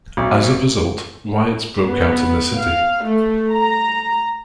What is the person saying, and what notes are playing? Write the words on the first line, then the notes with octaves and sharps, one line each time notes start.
As a result, riots broke out in the city.
B1
B3
F5
A3
A#5